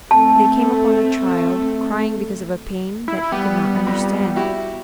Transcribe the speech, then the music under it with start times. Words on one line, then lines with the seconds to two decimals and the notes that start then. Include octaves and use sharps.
They came upon a child crying because of a pain that he could not understand.
0.11 A3 C4 A5
3.08 E4
3.32 G3 B3
3.86 F2
4.36 E4 F#4 G4